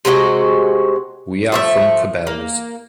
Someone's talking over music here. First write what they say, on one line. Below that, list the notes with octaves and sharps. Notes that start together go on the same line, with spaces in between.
We are from Cubelles.
C3 G#3 F#4 D#5
F3 A3 E5
A#3